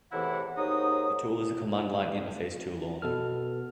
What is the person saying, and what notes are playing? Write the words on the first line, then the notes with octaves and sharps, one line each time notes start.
The tool is a Command Line Interface tool only.
E2 A2 C3 E3 E4 F#5
D#2 G#2 F#3 D#4 D#6
B2 A4 F6